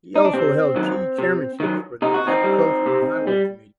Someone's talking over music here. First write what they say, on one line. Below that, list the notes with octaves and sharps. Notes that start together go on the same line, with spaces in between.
He also held key chairmanships for the agriculture and highway committees.
D#4
D4
C3 C4
D#3 F#3
C3
D#3 F#3
C3 D#4
F#4
C4 D#4
G3
C3
G3